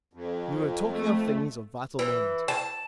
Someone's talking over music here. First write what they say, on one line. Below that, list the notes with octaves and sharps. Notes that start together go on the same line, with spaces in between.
We were talking of things of vital moment.
F2
A3
E3
A5